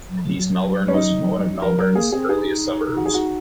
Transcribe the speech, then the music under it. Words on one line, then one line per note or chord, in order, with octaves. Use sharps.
East Melbourne was one of Melbourne's earliest suburbs.
F#3
F3
F#3
C#4
D#4
F3 A#4
F#3 A#4
A#3 G#4
C4 G#4
D#4 G#4
F#4
G#4
F#4